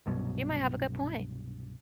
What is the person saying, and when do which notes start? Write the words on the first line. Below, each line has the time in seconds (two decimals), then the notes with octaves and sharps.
You might have a good point.
0.06 C2 G2 B2 F#3